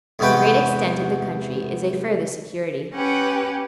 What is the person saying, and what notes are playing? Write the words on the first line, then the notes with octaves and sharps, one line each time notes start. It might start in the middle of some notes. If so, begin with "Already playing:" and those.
The great extent of the country is a further security.
E2 G#2 C3 F#4 B4 G5
C#4 G4 B4 F#5 G5